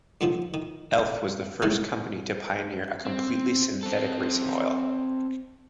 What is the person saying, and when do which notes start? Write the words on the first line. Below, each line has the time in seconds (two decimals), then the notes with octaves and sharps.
Elf was the first company to pioneer a completely synthetic racing oil.
0.21 G2 A#2 D3 D#3 F3
0.54 D#3
1.62 F#2 A2 E3 G3 G#3 D#4
3.05 C4
3.83 C4 A4